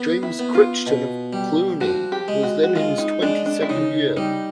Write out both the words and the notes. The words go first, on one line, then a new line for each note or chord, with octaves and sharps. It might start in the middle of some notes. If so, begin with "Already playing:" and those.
James Crichton of Cluny was then in his twenty-second year.
Already playing: B3
E4
B3
F4
B2
G3
F3 F#4
G4
G#3
F#4
F#4
G#3 F4
D#4
G#3 D4
D4
E4
C#3 D#4
G3 D#4